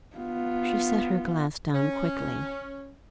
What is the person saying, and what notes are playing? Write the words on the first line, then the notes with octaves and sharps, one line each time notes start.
She set her glass down quickly.
B3 F4
C#4